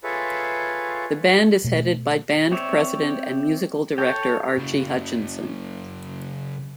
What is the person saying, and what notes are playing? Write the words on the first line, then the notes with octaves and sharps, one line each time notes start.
The band is headed by Band President and Musical Director Archie Hutchison.
F4 G#4 A4 B4 C#5 E5
B2 A3
C4 C#5 D5 E5
A4 C#5 G5
C#3 F#3